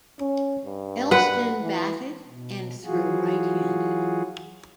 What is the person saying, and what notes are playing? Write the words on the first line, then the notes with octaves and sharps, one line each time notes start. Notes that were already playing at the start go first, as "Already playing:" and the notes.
Elston batted and threw right-handed.
C#4
G2
B4 F#5
E3
B2
E3 F#3 F4 F#4 G#4